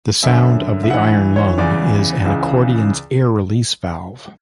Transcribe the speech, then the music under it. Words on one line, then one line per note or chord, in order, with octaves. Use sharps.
The sound of the iron lung is an accordion's air release valve.
F#2 D3 E5
E5
G2 E3 F#5
C#5
E2 C#3 E3 D5
C#2 C#3 E3